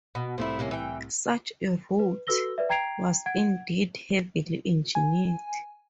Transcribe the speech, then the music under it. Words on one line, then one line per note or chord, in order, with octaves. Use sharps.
Such a route was indeed heavily engineered.
B2 B5
C2 A2 F3 A3 E4
C3 A#3 C#4
E3 G5
B4
F#4 A4 B4 E6 A#6 G7
B4 D5 E5
G5 A#5 G#6 C7 D7 F7
F#5 G#6 D7
G#5